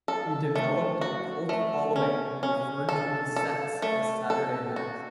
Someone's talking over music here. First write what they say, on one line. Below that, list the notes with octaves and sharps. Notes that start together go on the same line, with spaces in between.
He developed a cult following who referred to his sets as "Saturday Mass".
A4
A3
F#4
A3
C#4
C#4
A4
A4
A3
A4
F#4